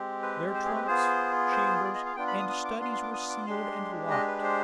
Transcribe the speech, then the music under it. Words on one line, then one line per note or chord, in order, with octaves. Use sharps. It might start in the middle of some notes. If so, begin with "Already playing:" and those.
Their trunks, chambers, and studies were sealed and locked.
Already playing: G#3 C4 G4
B4
C5
G#4
B4
B3 F4 G#4 C5
C5
D5
D#5
F5
B3 D4 F4 G5
B5
D#6
D#6
D6
C6
C6
D6
D#6
D6
G#3 D4 G4 C6
D#5
B4
C5